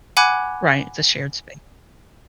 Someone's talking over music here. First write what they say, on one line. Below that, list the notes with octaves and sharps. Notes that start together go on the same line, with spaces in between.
Right. It's a shared spa
F#5 G#5 B5 D6 F#6 G#6